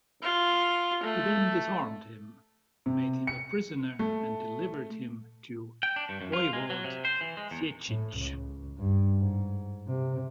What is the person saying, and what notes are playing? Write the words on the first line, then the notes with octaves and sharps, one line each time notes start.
He then disarmed him, made him a prisoner, and delivered him to Voivode Sieciech.
F4
A3
C3
C#7
A3
G5
D4
G2
F#2
F4
G#3
F#3
C3
C5
E3
G#3
E2
A2
C#2
G2
G#2
C3